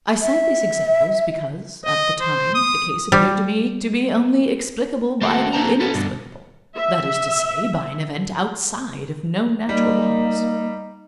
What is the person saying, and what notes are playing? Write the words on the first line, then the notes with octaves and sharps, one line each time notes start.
I cite these examples because, at the time, the case appeared to me to be only explicable by the inexplicable,--that is to say, by an event outside of known natural laws.
E5
D#5
C5
D#6
G3
A3 A#3 C4 D#4 F#4 A4
A#3 C4 B4 C5 A5 A#5
C#4 A4 B4
G2 B2 D3
E5
G3 A#3 D#4